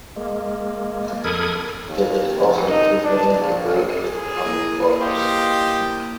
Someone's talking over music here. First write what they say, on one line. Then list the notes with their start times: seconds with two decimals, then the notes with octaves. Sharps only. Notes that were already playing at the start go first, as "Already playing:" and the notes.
It is also frequently invoked in comic books.
0.16 G#3 A#3
1.24 F2 A4 A#4 B5 D#6 G#6
1.88 D#2
2.36 F1
2.70 D#4
3.04 D4
3.40 A#1
4.05 G#4
4.44 A#3 E4 A#4
5.01 G4 C5 D#5 F5